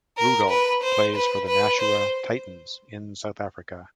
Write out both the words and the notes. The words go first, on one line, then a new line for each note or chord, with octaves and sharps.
Rudolph plays for the Nashua Titans in South Africa.
A#4
B4
C5
B4
B4
C5